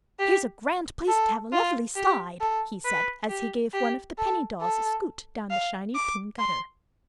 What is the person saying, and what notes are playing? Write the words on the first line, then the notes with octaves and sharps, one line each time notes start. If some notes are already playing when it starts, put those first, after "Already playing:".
"Here's a grand place to have a lovely slide!" he said as he gave one of the penny dolls a scoot down the shiny tin gutter.
G4
A4
F4
G4
A4
B4
G4
G4
A4
A4
F5
D6
C6